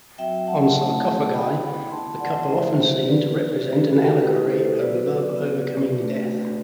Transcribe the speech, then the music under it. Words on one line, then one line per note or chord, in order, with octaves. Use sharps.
On sarcophagi, the couple often seem to represent an allegory of love overcoming death.
F#3 C4 F#4 E5 G5
F#5 A5
A3 C4 E4
B3 E4 G5 B5
B3 E4 A5 C6
D5 F#5
F#3 A3 E4 C5 E5
B3 D4 F#4 B4 D5
A3 E4 G4 B4
F#4 A4
A3 E4 G4 B4
A4 C5
F#3 B3 F#4 B4 D5
B3 D4 F#4
A3 D4 F#4